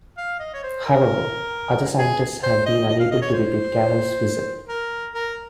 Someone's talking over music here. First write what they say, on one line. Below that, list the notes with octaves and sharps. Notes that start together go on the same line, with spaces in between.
However, other scientists have been unable to repeat Carrel's result.
F5
D#5
C#5
C5
A#4
G#4
C5
D#5
D#5
F5
D#5
C#5
C5
A#4
A#4